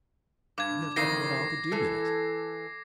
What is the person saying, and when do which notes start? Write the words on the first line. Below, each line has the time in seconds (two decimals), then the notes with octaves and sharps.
"You have nothing at all to do with it."
0.58 G2 D6 G#6
0.96 F2 A2 D#3 A#6 C7
1.72 E3 A4